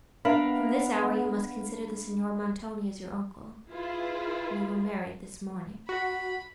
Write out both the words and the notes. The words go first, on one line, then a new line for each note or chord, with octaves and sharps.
From this hour you must consider the Signor Montoni as your uncle--we were married this morning.'
B3 D4 A#4 E5 F5 B5
E4 F4 G#4 B4
F#4 B5